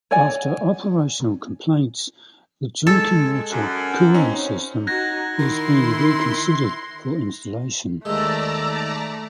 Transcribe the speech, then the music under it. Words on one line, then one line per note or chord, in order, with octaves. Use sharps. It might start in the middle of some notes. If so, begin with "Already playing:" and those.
After operational complaints the drinking water cooling system is being reconsidered for installation.
C#5 D5 F#5 G#5
G#3 A4 G#6
F#2
C4 C#4 D#4
D#4 F#4 F#6 G#6 A#6
D#3 E4 C6
D#2 G#3 A3 D5 A5 A#5 E6